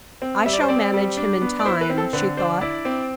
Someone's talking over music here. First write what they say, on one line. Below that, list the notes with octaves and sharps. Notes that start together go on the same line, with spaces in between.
"I shall manage him in time," she thought.
C4
G3 E5
D5
C5
C4 D5
G3
D4
B3
D5
E4 C5
B4
C4
A4
D3 B4
D4 C5
E4 D5
C4